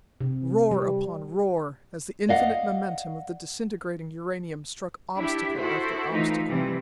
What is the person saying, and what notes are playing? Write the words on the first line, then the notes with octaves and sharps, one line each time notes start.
Roar upon roar, as the infinite momentum of the disintegrating uranium struck obstacle after obstacle.
C3
G3
D5 D#5 F5 F#5
D4 E4 G4 E5
E4 F#4 A4 C5
E3 A3 D#4 F4
C3 E3 G3